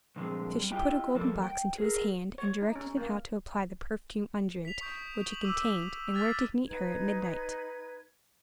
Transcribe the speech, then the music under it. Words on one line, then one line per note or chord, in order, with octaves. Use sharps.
So she put a golden box into his hand, and directed him how to apply the perfumed unguent which it contained, and where to meet her at midnight.
G2 A#2 D3 F3 G#3 C4
G3
E4 F4 G4 D#5 G5 G#5
F3 G3 A#3 C#4 A4
G5
G#4 A#4
C#5
D#4
C#4
A#3
B6 F7
C#6 D#6 G6 D7
F#7
C#6 D6 E6 D#7 E7
F6 G#6 A6 B6 F7
D#4 B4 G#6